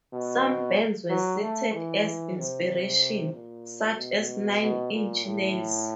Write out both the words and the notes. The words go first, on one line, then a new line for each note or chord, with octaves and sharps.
Some bands were cited as inspiration, such as Nine Inch Nails.
B2
F#3
A3
E3
C3
A#2
B2
B2
A#2
A2